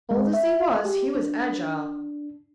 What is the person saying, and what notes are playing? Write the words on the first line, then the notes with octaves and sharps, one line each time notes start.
Old as he was, he was agile.
G#3
E5
G4
D4